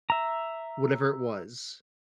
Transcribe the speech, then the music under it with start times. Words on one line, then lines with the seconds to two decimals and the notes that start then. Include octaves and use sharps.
whatever it was
0.10 E5 A#5